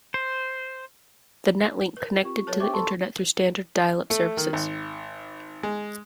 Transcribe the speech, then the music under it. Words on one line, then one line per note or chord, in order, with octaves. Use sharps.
The Net Link connected to the internet through standard dial-up services.
C5
A#4 B4
C4 F4 G4 C#6
F#3 A4 B4 C#5 A5
B3 G4 B4 C5 E5 C#6 D6
G4 A4 A5 C6 C#6
A3
D#3
G#1
G#3